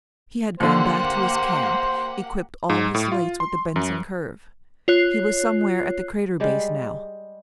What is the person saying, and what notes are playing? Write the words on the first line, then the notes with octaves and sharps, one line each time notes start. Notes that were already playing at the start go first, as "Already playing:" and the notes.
He had gone back to his camp, equipped all his lights with the Benson curve. He was somewhere at the crater base now.
D#2 D3 A#3 G4 C5 F#5
G#2
A2
F4
C6
F#2
F4 C#5 F#6 C7
G3 G#3 D5